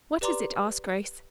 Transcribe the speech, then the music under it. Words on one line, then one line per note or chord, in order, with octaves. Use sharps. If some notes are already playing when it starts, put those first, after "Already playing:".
"What is it?" asked Grace.
G4 B4 D5 A#5 C6 D6